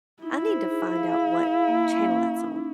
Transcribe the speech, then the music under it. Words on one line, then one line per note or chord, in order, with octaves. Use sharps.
I need to find out what channel that's on.
D#4 E4
C5
G#4
F5
F5
F5
A#3
C#4
C#4
D#4